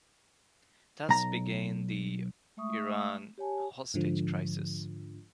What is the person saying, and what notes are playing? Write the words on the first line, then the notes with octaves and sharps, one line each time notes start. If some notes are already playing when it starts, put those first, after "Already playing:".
Thus began the Iran hostage crisis.
B1 A#5
G#3 A3 E5 C#6 D#6
G4 C#5 G#5 A5
G#2 D3 F3